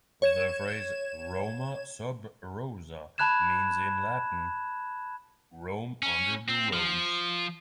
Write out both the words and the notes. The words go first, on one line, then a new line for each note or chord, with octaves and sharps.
The phrase "Roma Sub Rosa" means, in Latin, "Rome under the rose".
C#5 G#6 E7
A5 B5 F#6 G#6 E7
C#4
C4
F3